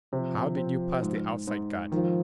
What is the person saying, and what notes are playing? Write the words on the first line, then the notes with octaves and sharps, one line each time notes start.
"How did you pass the outside guard?"
C3 F3
C4
G#2
G#2
D#3 F3